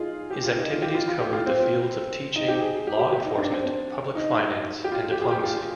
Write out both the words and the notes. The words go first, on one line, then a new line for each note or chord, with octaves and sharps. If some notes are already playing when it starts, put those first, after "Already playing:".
His activities covered the fields of teaching, law enforcement, public finance and diplomacy.
Already playing: D#4 F4 G#4
G4
F4
D#4
F4
G4
F4
F4
G4
F4
C4
D#4
G4
G#4
G4
G4
G4
D#4
D4
C4
C4
D#4
G4
F4
G4
G#4
G4
F4
F4